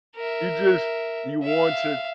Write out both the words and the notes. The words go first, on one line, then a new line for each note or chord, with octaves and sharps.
you just, you want to
A#4 E5
E5 F5